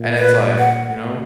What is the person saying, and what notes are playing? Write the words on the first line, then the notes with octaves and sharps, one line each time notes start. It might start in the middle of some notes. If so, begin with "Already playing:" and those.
And it's like, you know?
Already playing: A#2
B4
F#5